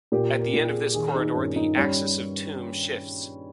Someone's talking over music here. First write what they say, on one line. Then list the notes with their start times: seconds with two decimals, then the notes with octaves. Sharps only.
At the end of this corridor the axis of the tomb shifts.
0.12 A#2 G4
0.39 A#4
0.54 A#2
0.68 G#4
0.94 D#3 G#4
1.15 D#4
1.35 G2 C#4
1.56 D#4
1.76 G3 C#4